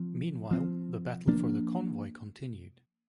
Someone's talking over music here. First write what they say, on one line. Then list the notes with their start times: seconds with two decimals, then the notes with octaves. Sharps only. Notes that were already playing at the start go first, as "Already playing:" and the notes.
Meanwhile, the battle for the convoy continued.
Already playing: F3 C4
0.51 F3 C4
1.27 F3 A#3 D4